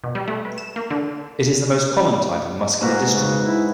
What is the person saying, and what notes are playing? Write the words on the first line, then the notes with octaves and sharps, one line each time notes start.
It is the most common type of muscular dystrophy.
B2
G3
A3
B4
E7
A#3
D3
G#2 A#3 F#4 B4
C#3
E4